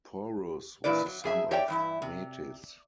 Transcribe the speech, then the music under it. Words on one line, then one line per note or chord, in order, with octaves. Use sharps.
Porus was the son of Metis.
A#2 E3 E4 B4 D5
F#3
F2 G#4 E5
G4 C#5 D5 E5 G5
G2 E3 E4
C3